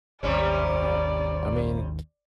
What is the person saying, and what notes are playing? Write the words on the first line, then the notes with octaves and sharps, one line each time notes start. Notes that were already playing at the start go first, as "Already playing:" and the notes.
Ah, I mean,
G#1 D#2 C3 G3 C#4 D5